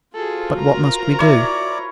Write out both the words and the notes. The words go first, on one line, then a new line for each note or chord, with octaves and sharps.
But what must we do?
F4 F#4 G#4 A4 C5
A#4 A#5
E4 C#5 D5